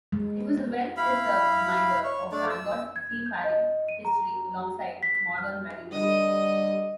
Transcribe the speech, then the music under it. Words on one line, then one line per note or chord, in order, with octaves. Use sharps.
It is a well-preserved reminder of Bangor's seafaring history alongside its modern marina.
G#3
E4 F5 B5
C#5
A3 D4 D5
E6
G#6
G6
D#5
D#7
A#5
B6
B6
F6
D3 G3 D#5 D#6